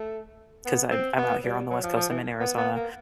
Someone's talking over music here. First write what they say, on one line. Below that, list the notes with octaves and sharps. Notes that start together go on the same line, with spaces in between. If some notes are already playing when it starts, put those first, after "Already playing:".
'cause I'm I'm out here on the West Coast. I'm in Arizona.
Already playing: A3
B3
C4
B3
G3
F#3
F3
F3
E3
B3
B3
A#3